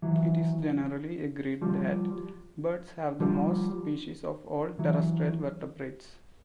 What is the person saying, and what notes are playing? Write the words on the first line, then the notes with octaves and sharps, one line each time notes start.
It is generally agreed that birds have the most species of all terrestrial vertebrates.
E3 F#3
F3 G3
F3 G3
E3 F#3